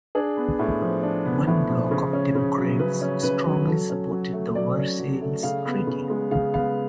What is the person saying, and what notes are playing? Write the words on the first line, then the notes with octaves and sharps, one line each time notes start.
One bloc of Democrats strongly supported the Versailles Treaty.
D4 G#4
B3
A2
F3
D4
B3
A2
F3
C#3
C#4
C#3
F#3
C#3 B4
C#4
C#3 B4
F#3
F#3 A4
C#4
F#3
A3
F#3 D5
C#4
F#3
A3
C#3 F5
B3
C#3
G#3
C#3 F5
B3 F5